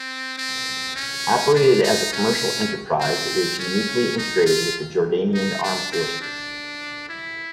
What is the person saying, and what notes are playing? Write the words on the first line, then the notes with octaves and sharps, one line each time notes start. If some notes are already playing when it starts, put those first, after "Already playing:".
Operated as a commercial enterprise, it is uniquely integrated with the Jordanian Armed Forces.
Already playing: C4
C4
C#4
D4
D#4
C#4
C4
C#4
D#4
F4
D#4
D4
C4
D4
E4